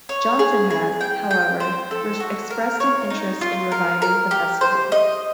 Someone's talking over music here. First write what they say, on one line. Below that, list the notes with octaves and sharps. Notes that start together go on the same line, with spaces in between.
Johnson has, however, expressed an interest in reviving the festival.
C#5
G#4
G#4
G5
G5
C5
A4
F#4
A#4
C#5
D#4
F4
A#4
A#4
G4
C5
D#5